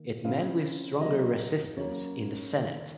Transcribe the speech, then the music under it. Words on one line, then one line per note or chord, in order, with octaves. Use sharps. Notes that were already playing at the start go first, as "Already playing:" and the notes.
It met with stronger resistance in the Senate.
Already playing: D#3 A#3
C#3 F3 C4 F5
C3 F#3 A#3 D#5
C#3 F#3 A#3 C#5
D#3 A#3